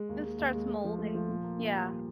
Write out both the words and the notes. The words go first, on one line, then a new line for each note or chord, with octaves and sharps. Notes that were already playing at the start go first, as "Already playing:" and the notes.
It starts molding, yeah.
Already playing: G#3
D#2
G#3
D#2
G#3
A3
F3
A3
F3
A#2
A#3
A#2
G3